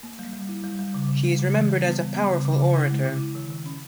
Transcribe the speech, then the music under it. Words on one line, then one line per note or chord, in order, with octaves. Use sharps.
She is remembered as a powerful orator.
A#3
G3
G3
E4
G3
G3
C#3
C#3
G3
C#3
E3
G3
B3
G3
B3
C#3
C#3
C#3
E4
G#3
E4
E4
D#3
D#3
C#4